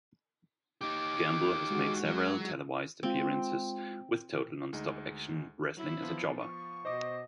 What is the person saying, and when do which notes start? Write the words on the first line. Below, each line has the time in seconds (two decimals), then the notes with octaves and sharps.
Gamble has made several televised appearances with Total Nonstop Action Wrestling as a jobber.
0.81 D#4 G4 D6
1.71 G#3 F#4
2.05 F#3
3.03 G#3 C4 F4
4.73 D2 G#3 D#4
5.77 F#3 E4
6.02 F3 B3 F4
6.38 C#6
6.85 B2 C5 D#5 D6